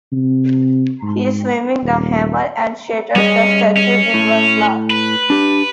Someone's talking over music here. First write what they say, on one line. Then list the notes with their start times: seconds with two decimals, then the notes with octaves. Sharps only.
He swings the hammer and shatters the statue in one blast.
0.12 C3
1.03 G#2
1.83 D#1
3.16 G3 C#4 G#4 D#5
3.77 C#4
4.14 A2
4.90 B4
5.30 D4 G4